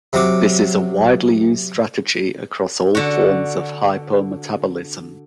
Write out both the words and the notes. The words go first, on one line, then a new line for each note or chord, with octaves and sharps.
This is a widely used strategy across all forms of hypometabolism.
C3 F#3 C#6 D6
D3 F#4